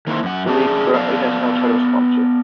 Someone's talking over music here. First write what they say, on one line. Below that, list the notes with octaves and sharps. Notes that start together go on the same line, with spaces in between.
The league currently has no title sponsor.
D#3 A#3 C#4 E4 C5
F#2 F#5
A3 C#4 D4 G#4 A#4
B3 A4 D5 F5